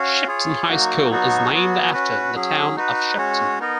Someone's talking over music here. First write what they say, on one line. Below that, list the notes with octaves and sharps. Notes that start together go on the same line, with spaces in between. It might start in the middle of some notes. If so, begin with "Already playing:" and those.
Shepton High School is named after the town of Shepton.
Already playing: C#4 F#4 C#5 F5
F4 G#4 C#5
F#3 A#3 D#4 F#4
F#3 B3 D#4 F#4
F#3 B3 F#4
C#4 F#4 B4
F#3 C#4 G#4
D#4 F#4 B4
G#3 C#4 F#4 C#5
B3 D#4 A#4 D#5